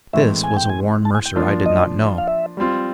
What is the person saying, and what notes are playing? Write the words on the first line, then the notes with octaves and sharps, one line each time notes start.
This was a Warren Mercer I did not know.
A2 E3 G#3 C4 E4 E5
G#5
G5
G#5
A5
G#5
G5
F3 A#3 D4 F4
D#5
F5
E5
G3 C4 F4